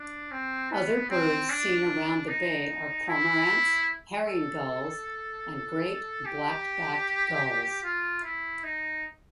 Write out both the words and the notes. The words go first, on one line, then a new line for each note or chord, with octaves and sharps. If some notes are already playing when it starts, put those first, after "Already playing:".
Other birds seen around the bay are cormorants, herring gulls and great black-backed gulls.
Already playing: D4
C4
B3
C4
D4
D#4
E4
A4
G4
F4
E4
D#4